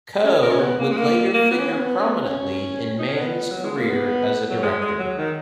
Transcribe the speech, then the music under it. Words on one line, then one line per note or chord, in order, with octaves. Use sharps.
Coe would later figure prominently in Mann's career as a director.
C#4
A#4
C#4
B3
A#3
G#3
A#3
A#3
B3
C#4
B3
C#4
B3
C#4
B3
C#4
D#4
C#4
B3
F#3
G#3
A#3
B3
F#3
G#3
G#3
F#3
D#3